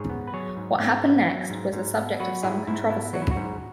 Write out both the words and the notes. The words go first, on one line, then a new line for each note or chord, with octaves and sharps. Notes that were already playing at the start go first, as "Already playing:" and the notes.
What happened next was a subject of some controversy.
Already playing: G#2 G#4 C#5
B3
B4
F#3 G#4 C#5
G#2
G#2
B3
F#3
G#2
G#2
B3
F#3 F#4 B4
G#2 E4 G#4
G#2 E4
B3 E4
F#3 F#4
E4
F#4
G#2